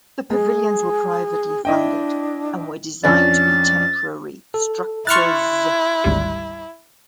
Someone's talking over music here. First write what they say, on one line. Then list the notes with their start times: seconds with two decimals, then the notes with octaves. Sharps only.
The pavilions were privately funded and were designed to be temporary structures.
0.30 G#3 G#4
1.65 D4 E4 D#5 G5
3.04 F2 C#4 D4 A6
4.54 A4
5.07 E4 C6 C#6 F6 F#6 A6
6.04 G#1 D2 G3